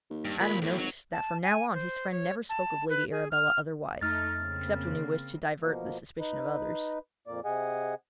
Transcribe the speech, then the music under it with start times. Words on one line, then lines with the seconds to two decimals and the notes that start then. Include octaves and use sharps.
Adam noticed that from now on, his friend never spoke of Lady Arabella otherwise, except when he wished to divert the suspicion of others.
0.10 D#2
0.25 G2
0.40 D#2 A#2 B5
0.62 E2 A2
0.78 G#1 F#3
1.13 A5
1.43 G#5
1.74 C5
2.11 C#5
2.49 A5
2.89 B4
3.12 G#4
3.31 F6
4.01 F2 A3 D#4 F6 A6
4.40 C#3 A#3 C4
5.61 B2 F3 A#3
6.19 D#4 B4
7.27 F2 A#2 A#3 D5
7.45 C3 G#4 D#5 F#5 G#5